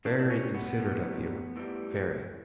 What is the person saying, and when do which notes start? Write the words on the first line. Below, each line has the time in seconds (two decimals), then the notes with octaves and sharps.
Very considerate of you — very!
0.05 A2 E3 G3 D4
0.19 D4
0.30 C#4
0.55 B3
0.80 A2 E3 G3
1.56 A2 E3 G3